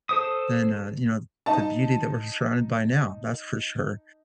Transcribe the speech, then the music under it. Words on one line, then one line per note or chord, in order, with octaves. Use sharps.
than, uh, you know, the beauty that we're surrounded by now. That's for sure,
A4 C5 D#6
D#4 A5